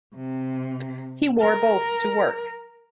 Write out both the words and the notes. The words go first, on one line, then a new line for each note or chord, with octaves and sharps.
He wore both to work.
C3
A#4